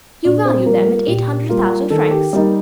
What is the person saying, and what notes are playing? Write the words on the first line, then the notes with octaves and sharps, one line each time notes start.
"You value them at eight hundred thousand francs?"
A#2 D4 D5
C4 C5
G3 A#3 F4 A#4
A#3 A#4
A#2 G4
G3 A#3 F4
D#3 A4
G4
G3 A#3 D#4